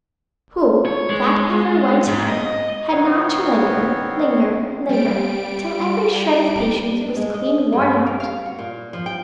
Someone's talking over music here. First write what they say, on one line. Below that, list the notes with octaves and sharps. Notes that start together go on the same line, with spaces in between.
Who, that ever went there, had not to linger, linger, linger, till every shred of patience was clean worn out?
C#5
G#3
G#2
D#5
A#2 D#3 B3 C4 C#5 C6
G3 D7
D4
G#3
D#5
G2
A#4
F5
F#4
A#2
F3
G5